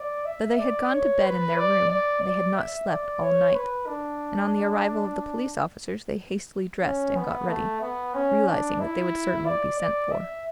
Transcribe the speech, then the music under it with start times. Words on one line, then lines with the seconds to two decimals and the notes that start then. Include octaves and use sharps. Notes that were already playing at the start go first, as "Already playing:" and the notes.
Though they had gone to bed in their room, they had not slept all night, and on the arrival of the police officers they hastily dressed and got ready, realizing that they would certainly be sent for.
Already playing: D5
0.25 E5
0.59 D5
0.92 C#5
1.24 B4
1.57 D5
1.90 D5
2.22 D5
2.56 E5
2.88 D5
3.21 C#5
3.54 B4
3.87 D4
6.82 C#4
7.16 B3
7.48 A3
7.81 B3
8.14 C#4
8.47 D4
8.80 E4
9.46 D5
9.79 D5
10.11 E5